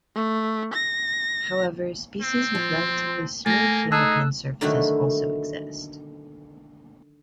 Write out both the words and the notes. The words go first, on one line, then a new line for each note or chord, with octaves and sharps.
However, species with relatively smooth hemipene surfaces also exist.
A3
A#6
C4
F3
A3 A#3 G#5 A6 A#6
D#4 G#4 A5 E6 F#6
D3 D#3 F#3 A3 E4 F#4